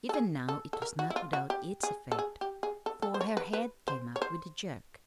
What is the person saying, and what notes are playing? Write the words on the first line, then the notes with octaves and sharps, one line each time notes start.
Even now it was not without its effect, for her head came up with a jerk.
A4
G#4
A4
A4
A#4
F#4
E4
F4
F#4
G4
G#4
A4
G#4
G4
G#4
A4
A4
C5
C#5
B4
B4
C5
C#5
C5